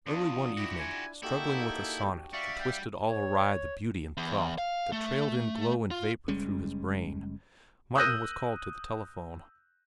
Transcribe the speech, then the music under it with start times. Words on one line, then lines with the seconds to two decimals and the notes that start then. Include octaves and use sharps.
Early one evening, struggling with a sonnet that twisted all awry the beauty and thought that trailed in glow and vapor through his brain, Martin was called to the telephone.
0.06 E2 D4 F4 D#6
0.57 E4 F#4 G4
0.79 G#5
1.23 A#3 D#4 E4 F#4 G4 A4 G5
2.33 G3 D5 E5 F5 C#6
2.60 G5
3.08 C#5
4.17 E2
4.58 F5
4.92 A3
5.91 F4
6.28 F#1 G3 G#3 C#4
7.95 D#6 E6 F#6 G6 A#6 D#7